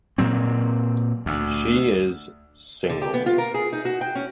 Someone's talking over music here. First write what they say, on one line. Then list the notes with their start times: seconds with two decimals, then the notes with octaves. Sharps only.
She is single.
0.18 A#2 F#3 C4
1.26 D2
2.89 D3
3.02 G4
3.14 B3
3.26 F4
3.38 A#4
3.54 G#4
3.73 D#4
3.85 F#4
4.01 G5
4.15 C#4